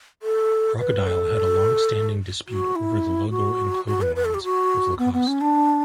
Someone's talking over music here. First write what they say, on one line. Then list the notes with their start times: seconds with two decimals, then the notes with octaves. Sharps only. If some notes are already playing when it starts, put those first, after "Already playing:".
Crocodile had a long-standing dispute over the logo and clothing lines with Lacoste.
0.23 A4
0.80 B4
1.07 A4
2.48 F#4
2.76 E4
3.31 F#4
3.87 F#4
4.02 B4
4.16 B4
4.25 A4
4.34 G4
4.44 F#4
4.99 B3
5.13 B3
5.28 C#4
5.41 D4